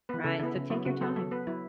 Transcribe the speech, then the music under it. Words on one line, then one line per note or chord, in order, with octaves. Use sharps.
right, so, take your time.
E3 B3 B4
C#3 A4
E3 B3 E4
C#3
F#3 B3 E4
C#3 F#4
F#3 B3 A4
F#3 A4
B3 B4
F#3 E4